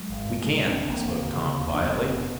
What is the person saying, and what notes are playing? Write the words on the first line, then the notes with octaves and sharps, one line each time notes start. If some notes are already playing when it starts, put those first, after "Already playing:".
"We can't," spoke Tom, quietly.
Already playing: F#3 G#3
G#1
G2
D2 G#3 A#3
D2
C4 D4
E1
C#4
E1 A#3 C4
E1
D3
C#3
E2
F1
D4
F1 B3 C#4
F1 C4 D4
C4
B3 C#4